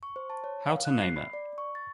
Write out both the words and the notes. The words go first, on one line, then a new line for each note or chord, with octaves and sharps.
How to Name It?
C#6
C5
A5
C#5
F5
F#6
C7
B5
D5
C#6
A6